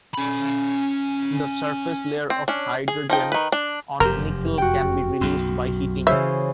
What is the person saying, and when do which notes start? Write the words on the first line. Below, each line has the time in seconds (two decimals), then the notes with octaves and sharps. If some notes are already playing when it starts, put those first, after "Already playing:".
The surface layer of hydrogen on nickel can be released by heating.
0.14 C#4 B5
2.30 C4
2.48 C#4 D4
2.88 G#4
3.10 F3 D#4 G5
3.32 D#3 B4
3.52 D4
4.00 F1 F#2 G4 A#4 C6
4.58 F#4 G5
5.21 B1 F#2 C6
6.07 C#3 E3 C5 E5